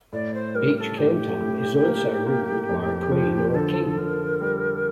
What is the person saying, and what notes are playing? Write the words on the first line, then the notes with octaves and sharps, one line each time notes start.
Each canton is also ruled by a queen or a king.
A2 D5
C5
G3 A#4
A#4
A4
A2 G4
A2
A#3
A#3
F2
F3
D3 A4
D3 A#4
G3